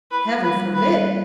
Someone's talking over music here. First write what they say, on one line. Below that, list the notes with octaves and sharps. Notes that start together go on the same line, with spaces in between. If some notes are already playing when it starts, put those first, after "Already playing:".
Heaven forbid!
E4 B4
A#3
G3 B4
G3
A#3 B4